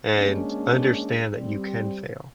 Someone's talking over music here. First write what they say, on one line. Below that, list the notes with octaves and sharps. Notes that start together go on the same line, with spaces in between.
and understand that you can fail,
G#3 A#3 C#4 D4
G3 C4